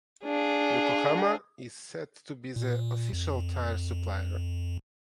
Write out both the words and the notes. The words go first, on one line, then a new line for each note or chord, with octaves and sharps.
Yokohama is set to be the official tyre supplier.
D4 G#4 F5
A#2
F2